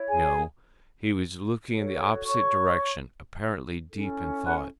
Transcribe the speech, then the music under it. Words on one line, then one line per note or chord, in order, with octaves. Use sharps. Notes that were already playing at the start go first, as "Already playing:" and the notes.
No, he was looking in the opposite direction, apparently deep in thought.
Already playing: E4 C#5
G#4 G#5
F#4 A4 C#5
C#5 C#6
C#4 E4 A4
F#5 F#6